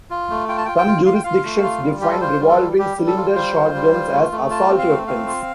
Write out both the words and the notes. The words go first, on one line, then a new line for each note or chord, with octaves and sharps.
Some jurisdictions define revolving cylinder shotguns as assault weapons.
F4
A3
F4 G5
A5
F4 G5
G5
F4
F4 F5
G5
F4 F5
A3
F4
G3
F4 G4
A4
F4 C5
G3
A4
G3
G3 G4
G3
A4
F4
G3 C5
F4
G3
F4
A3
A3
F4 A5
C4
F5
A3
C4 F5
F4